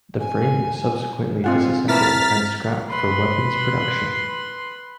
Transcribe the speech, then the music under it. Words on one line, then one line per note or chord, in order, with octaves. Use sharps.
The frame was subsequently disassembled and scrapped for weapons production.
G#5
C4 F4 F#5 G#5
E4 B4 A5 A#5 F6 A6 B6
B4 C6